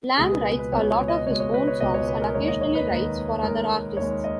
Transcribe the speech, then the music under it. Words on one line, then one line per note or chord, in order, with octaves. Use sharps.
Lam writes a lot of his own songs and occasionally writes for other artists.
C#2 B2 G#3 G#4
B4
B4
B4
C#2 B2 G#3 C#5
C#5
D#5
C#2 B2 G#3 C#5
C#5
B4
C#5
C#2 B2 G#3 D#5
C#5
B4
A#4
D#2 D#3 G#3 C#5
D#5
C#5
B4
D#2 D#3 G#3
D#2 D#3 G#3 A#4
D#2 D#3 G#3 C#5
D#5